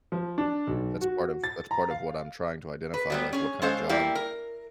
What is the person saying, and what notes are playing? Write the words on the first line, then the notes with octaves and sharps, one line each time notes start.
That's part of that's part of what I'm trying to identify, like, what kinda job
F3
D4
B1
F#4
A6
A#5
F5
B4
F#3 G3 B3
C#4 G#4
G#3 C#4 A4 C5 F5
G3 A#3 E4 G4 F5
A#4